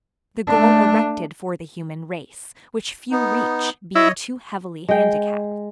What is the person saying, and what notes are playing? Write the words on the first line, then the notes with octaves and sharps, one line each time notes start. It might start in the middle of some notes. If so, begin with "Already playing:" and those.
The goal erected for the human race, which few reach, being too heavily handicapped.
A3 D4
B3 D#4
E4 C#5 D#5
G#3 G5